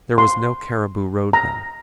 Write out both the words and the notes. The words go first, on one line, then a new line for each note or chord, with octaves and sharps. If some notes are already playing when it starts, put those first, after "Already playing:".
There was no Cariboo Road then.
C6
A#5